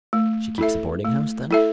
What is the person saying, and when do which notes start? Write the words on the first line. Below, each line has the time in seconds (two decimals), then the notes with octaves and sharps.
"She keeps a boarding-house, then?"
0.13 A3
0.58 E4 A4 E5
1.05 A3
1.51 E4 A4 E5